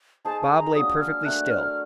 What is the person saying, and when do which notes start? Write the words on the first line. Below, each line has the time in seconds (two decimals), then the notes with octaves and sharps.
Bob lay perfectly still.
0.25 D#4 G#4 C5 A5
0.41 A5
0.58 A#5
0.75 F#3 A#3 D4 F#4 D#6
1.00 F6
1.25 A3 D4 F#4 A#4 F#6
1.51 F6